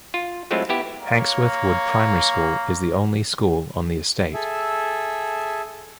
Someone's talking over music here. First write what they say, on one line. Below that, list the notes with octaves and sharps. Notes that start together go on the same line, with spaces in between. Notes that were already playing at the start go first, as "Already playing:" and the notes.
Hawksworth Wood Primary School is the only school on the estate.
F4
F#3 G#3 A3 C4 E4 F4
B3 E4 G4
A#3 C#5
G#4 A4 E5